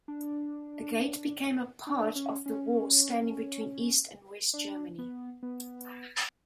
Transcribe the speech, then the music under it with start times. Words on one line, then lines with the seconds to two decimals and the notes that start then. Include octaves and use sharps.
The gate became a part of the wall, standing between East and West Germany.
0.08 D4
1.87 D4
2.16 C#4
2.46 C#4
4.53 D4
4.98 B3
5.43 B3